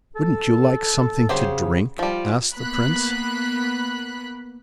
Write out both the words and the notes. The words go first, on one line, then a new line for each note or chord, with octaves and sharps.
"Wouldn't you like something to drink?" asked the Prince.
A4
C#3 F#3 G4 C5
F3 G3 F4
A#3 B3 B5 F#6